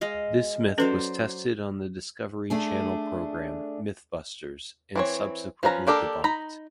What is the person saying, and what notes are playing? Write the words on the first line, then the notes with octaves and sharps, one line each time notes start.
This myth was tested on the Discovery Channel program "MythBusters", and subsequently debunked.
G#3 D#5 F5
F#3 C#4 A4 B4 C5 D5
A3 D4 G#4
E3 C4 C#5
F3 C#4 B4 A#5
A#3 D4 G4 A4 A#4
D#4 A#5 B5